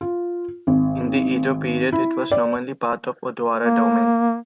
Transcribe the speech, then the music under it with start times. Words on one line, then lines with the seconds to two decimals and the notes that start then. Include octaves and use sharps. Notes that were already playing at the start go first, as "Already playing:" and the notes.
In the Edo period, it was nominally part of Odawara Domain.
0.01 F4
0.67 G#1
1.92 E4
2.32 D5
3.62 A#3